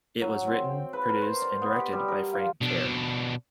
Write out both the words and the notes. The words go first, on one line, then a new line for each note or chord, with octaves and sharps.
It was written, produced and directed by Frank Kerr.
F#3
C4
G5
B4
A#4
C5
D5
B3
G4
G3
A#4
F4
B2 D4